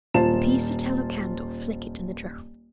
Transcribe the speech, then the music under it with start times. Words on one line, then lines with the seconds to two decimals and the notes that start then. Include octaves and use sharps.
The piece of tallow-candle flickered in the draught.
0.14 D#1 F4 C5 A5 E7